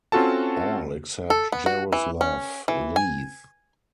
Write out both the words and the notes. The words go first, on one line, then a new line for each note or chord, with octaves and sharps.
All except Jaroslav leave.
C4 C#4 F4 F#4 A4 A5
A4
B3
F#4
E3
C#4
E3
G#5